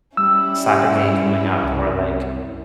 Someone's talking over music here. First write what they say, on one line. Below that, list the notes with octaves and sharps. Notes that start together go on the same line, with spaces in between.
soccer game coming up?" Or, like,
G3 C#4 E4 E6
C2